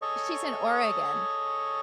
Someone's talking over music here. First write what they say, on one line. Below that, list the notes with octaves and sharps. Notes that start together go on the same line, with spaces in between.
She's in Oregon.
G#4 A4 C#5 D#5 C#6